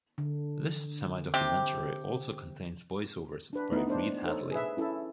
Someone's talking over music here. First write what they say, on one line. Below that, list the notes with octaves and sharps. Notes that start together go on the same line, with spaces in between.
This semidocumentary also contains voice-overs by Reed Hadley.
D3
C3 C4 G4
D4 B4
A3 B3 D#4 E4
D4 C5 D5
D#4 A4 C5 C#5
G#4 B4 E5
C#4 E4 A4 E5 A5